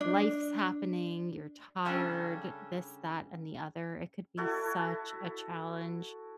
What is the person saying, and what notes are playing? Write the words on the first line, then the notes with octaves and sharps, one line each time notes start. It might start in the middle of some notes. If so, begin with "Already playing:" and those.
life's happening, you're tired, this, that, and the other, it could be such a challenge.
D4
C#3 G3 C#4 D4 A4
E4 F#4 A4